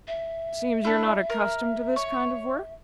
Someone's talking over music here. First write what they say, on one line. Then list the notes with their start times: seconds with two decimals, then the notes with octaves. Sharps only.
Seems you're not accustomed to this kind of work?'
0.08 E5
0.85 D4 E4
1.30 A#4
1.96 C#5